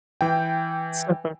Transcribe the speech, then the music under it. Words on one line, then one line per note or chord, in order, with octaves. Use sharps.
So far.
E3 G5